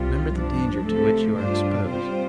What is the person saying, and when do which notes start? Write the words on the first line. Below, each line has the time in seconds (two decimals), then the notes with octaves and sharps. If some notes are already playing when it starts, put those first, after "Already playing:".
Remember the danger to which you are exposed.
Already playing: C2 C3 G3 F4
0.35 G2 F3 D4
0.85 C3 F3 A3 A4
1.37 G2 G3 D4 F4 C5
1.87 C3 G3 C4 F4 C5